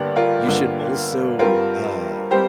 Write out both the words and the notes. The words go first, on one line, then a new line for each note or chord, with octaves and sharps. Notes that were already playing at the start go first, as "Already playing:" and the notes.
You should also, uh,
Already playing: G1 G2 D3 A#3 G4 D5
F4 A#4
G1 G2 D3 A#3
G2 G3 C4 F4 A#4
G3 C4 G4 C5